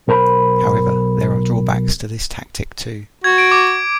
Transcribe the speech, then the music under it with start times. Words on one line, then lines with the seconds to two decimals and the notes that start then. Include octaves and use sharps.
However, there are drawbacks to this tactic, too.
0.08 B1 A#4 C5 A#5 B5
3.24 F#4 G#6
3.38 D7
3.52 D6